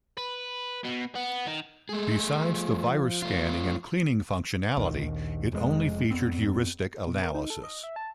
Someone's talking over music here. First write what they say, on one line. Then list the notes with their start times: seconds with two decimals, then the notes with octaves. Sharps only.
Besides the virus scanning and cleaning functionality it only featured heuristic analysis.
0.17 B4
0.85 B2
1.16 B3
1.46 D#3
1.89 G#3 A3 G#4
2.38 F3
3.22 A3 F4
4.77 A#1 D#2 D#3
5.52 F1 F2 B2 G#3
6.11 F2 B3 C4
7.07 B2
7.22 A#4
7.35 D#4
7.50 A4
7.64 D#5
7.83 E5
7.96 A5